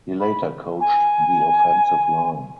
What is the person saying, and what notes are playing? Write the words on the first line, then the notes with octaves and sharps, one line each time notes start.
He later coached the offensive line.
B5
G#5